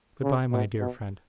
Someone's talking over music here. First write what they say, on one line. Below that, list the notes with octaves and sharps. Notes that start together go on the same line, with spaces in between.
Good-bye, my dear friend.
C#3
B2
B2